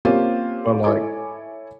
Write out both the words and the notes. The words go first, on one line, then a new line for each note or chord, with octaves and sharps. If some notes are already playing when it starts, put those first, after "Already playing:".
but like
A#3 C4 C#4 F4 G4 C5
E4 A4 C#5 G#5 D6